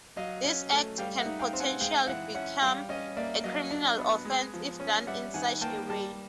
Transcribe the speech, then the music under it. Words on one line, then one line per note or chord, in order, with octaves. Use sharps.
This act can potentially become a criminal offense if done in such a way.
F#3 D#5 F5
C#4
A3
G3 F5 G5
E5 F#5
D#4
F5 G5
C4
F#5 G#5
G#3 F5 G5
E3 E5 F#5
C#4 E5 F#5
G3 F5 G5
C#4 D#5 F5
A#3 D5 E5
F#3 D#5 F5
D4
B3
G#3
F3
C#4
G3 E5 F#5
D#3 F#5 G#5
A#3 G5 A5
G3 G5 A5